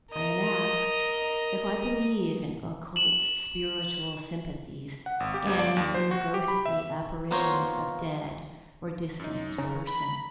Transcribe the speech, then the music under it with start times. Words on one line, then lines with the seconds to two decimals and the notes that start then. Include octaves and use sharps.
I am asked if I believe in occult spiritual sympathies, and in ghostly apparitions of dead or distant persons.
0.12 A#4 D#5
2.96 E7 F#7
5.06 F#5
5.20 G#1
5.34 G4
5.47 G1
5.59 D5
5.76 D#2
5.94 C5
6.11 F#4
6.34 G4
6.48 B5
6.66 E5
7.31 A#3 B3 F4 A#4 C5 C#5
9.19 F#2 D#4
9.58 C#3 A#5
9.87 B5
10.09 A#5